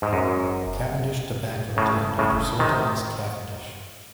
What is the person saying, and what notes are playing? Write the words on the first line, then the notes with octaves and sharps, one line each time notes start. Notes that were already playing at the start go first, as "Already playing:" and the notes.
Cavendish tobacco is named after Sir Thomas Cavendish.
G#2
F#2
A2 C#3
A2 C#3
C3 D#3